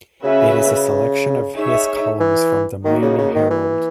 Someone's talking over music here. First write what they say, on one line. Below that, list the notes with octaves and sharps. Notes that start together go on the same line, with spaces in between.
It is a selection of his columns from the "Miami Herald".
C#3 C#4 F#4 B4 E5
D#4 G#4 C#5 E5
E3
D#3 A#3 D#4 F#4
C#3
C#3
D#3
E3